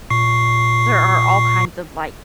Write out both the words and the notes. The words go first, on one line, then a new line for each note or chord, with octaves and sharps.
There are all kinds of, like,
A#2 C#6 C7